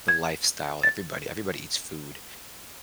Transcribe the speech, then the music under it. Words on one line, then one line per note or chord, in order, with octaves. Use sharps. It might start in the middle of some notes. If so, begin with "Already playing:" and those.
the lifestyle everybody everybody eats food,
G#6
A6